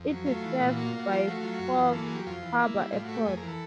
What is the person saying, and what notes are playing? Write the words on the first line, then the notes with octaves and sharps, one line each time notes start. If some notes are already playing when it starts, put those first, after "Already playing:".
It is served by Fox Harbour Airport.
Already playing: F2
F#3
A3 F4
E3
A#2 F4
A#3 F#4
F4
A#3
F#4
F3 F4
A3 F#4
F#3 F4
F#4
F#2
F4
E3
A#3 A4
G#4
F#3
G4
F2 F4
E3
A#3 E4
G3
A2 F4
A3 F#4
G4
F2 G#4
A#4
E3
A4